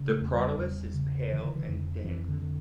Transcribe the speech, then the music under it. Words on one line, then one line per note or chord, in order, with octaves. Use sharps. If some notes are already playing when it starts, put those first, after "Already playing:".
The prothallus is pale and thin.
Already playing: C#3
A3
E2
G3
E2
C#3
D3 E3
E3
F2
F2 E3
D3
D3